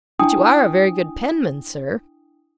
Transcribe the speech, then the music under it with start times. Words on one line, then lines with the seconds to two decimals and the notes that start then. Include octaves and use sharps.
'But you are a very good penman, sir.
0.19 D4 E4 G5 G#5 D#6